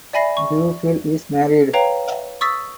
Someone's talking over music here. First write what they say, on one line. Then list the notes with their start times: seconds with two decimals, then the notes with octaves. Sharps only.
Duffield is married.
0.13 D5 E5 G#5 B5 A#6 C7
0.37 C#6
1.73 B4 C#5 F5 G5 A#5
2.41 C#6 D#6 E6 A6 B6